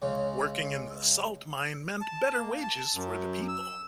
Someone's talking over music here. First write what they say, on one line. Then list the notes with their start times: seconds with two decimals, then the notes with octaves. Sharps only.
Working in the salt-mine meant better wages for the people.
0.02 C#2 C#3
2.01 A5
2.36 A#3
2.63 A5
2.94 F#2
3.48 E6